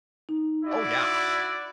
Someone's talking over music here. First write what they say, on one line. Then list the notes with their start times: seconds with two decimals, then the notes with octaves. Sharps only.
Oh, yeah.
0.29 D#4
0.65 E4 F#4 D5